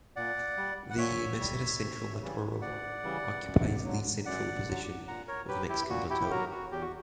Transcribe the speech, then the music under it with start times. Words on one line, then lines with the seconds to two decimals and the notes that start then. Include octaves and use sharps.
The Meseta Central matorral occupies the central portion of the Mexican Plateau.
0.16 A#2 D5 F#5
0.57 G3
0.90 F#5
0.98 A#2 C#5 E5
1.40 G3
1.80 D2
2.22 C#3 E3 G3
2.62 D2 D5 F#5
3.04 C#3 E3 G3
3.45 F#2
3.84 D3 F#3
4.26 F#2 D5 F#5
4.67 D3 F#3
5.08 A#2 F#5 A#5
5.28 A#4 C#5
5.48 F#3 G4 B4
5.69 E4 G4
5.89 A#2 F#4
6.10 E4 G4
6.21 G4
6.30 F#3 F#4 A#4
6.51 F#4
6.71 E2 G4
6.82 F#4